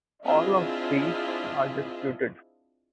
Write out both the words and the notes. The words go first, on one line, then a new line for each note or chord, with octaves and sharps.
All of these are disputed.
C4 D4 E4 F4 G#4 D#5